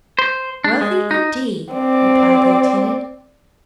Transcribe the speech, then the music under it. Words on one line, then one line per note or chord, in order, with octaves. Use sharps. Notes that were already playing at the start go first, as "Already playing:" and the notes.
"Wealthy, indeed!" replied the intendant.
C5
D4
G#3
D#4
C4 D5